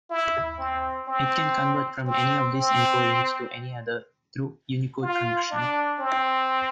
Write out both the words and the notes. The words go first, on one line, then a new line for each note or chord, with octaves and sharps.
It can convert from any of these encodings to any other, through Unicode conversion.
E4
C4
C4
C4
C4
F4
D4
C4